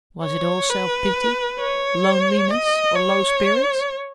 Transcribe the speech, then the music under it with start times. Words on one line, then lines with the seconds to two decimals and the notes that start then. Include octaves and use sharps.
Was it all self-pity, loneliness, or low spirits?
0.24 C#5
0.69 B4
1.59 C#5
2.50 D#5
2.96 C#5